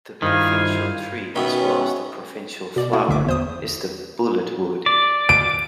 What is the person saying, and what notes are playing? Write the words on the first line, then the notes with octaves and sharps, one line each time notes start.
The provincial tree as well as the provincial flower is the "bullet wood".
G2 D#3 E4 F4 C5 F5 G#5
B2 D#3 B3 C#4 E5 G5 C#6
B2 D5
A3 A#3 E4
G1 D2 E5 D6
E2 C5 D#6
D5
D7